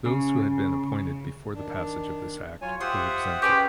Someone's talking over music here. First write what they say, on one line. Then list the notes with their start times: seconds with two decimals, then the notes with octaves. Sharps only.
Those who had been appointed before the passage of this Act were exempted.
0.06 C#3
1.55 D#3 D4
2.62 F#3 F4 C#5 G#5
2.81 F4 G4 C5 E5 F#5 C6 D#6
3.42 C#4 G4 G#4 B4 G5 B5 C#6